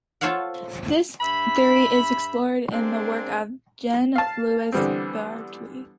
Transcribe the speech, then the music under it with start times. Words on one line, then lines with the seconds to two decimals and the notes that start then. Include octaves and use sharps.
This theory is explored in the work of Jean-Louis Baudry.
0.21 F4 A4 C5 C#5 F5 F#5
1.21 G2 E5 B5
2.71 G#3 A#3 C4 D4
4.16 F5 A5
4.72 D3 E3 G3 B3 C4